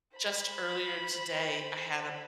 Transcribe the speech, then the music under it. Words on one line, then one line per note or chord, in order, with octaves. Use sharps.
just earlier today, I had a
C5 B5